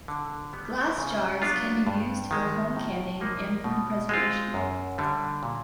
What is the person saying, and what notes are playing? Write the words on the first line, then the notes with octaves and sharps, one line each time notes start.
Glass jars can be used for home canning and food preservation.
D3
G3 B3
C#3
F#3 B3 D4 F4
G2
D#3 G#3
A2
F3 A#3 D#4
B2
G#3 C4 F4
F#2
D3 G3
A#2